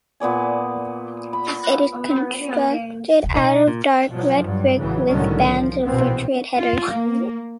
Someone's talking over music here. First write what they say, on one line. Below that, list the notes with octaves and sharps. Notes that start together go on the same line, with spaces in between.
It is constructed out of dark red brick with bands of vitrified headers.
A#2 B3 D5 G#5
B5
E1 C#2
B2 D#4
A#2
B2 F3 F#3
G2 F#3
A1 C#3 E3 F#3
C2 A2 D3 D#3 F#3 C#4
F3
A#1 B2 E3 B3 C4
F4
A#3